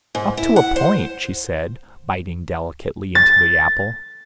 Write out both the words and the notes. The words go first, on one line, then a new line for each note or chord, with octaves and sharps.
"Up to a point," she said, biting delicately into the apple.
G#2
E4
F#5
C5
A6